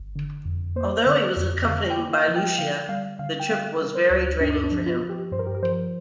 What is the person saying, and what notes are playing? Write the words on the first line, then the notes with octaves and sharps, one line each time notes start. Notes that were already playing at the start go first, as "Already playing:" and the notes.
Although he was accompanied by Lucia, the trip was very draining for him.
Already playing: G1
D3
F2
A#3 C5
D3
F2
D3 F5
G5
A#3
F5
F3
G5
G5
D3 F5
G3 F5
D3 F5
G5
G3 F5
G3 A#4
C5
D2
G2 D4
D4
F3
F4
F3
G4
G2 C5
A#4
G4
A#4
F3 C5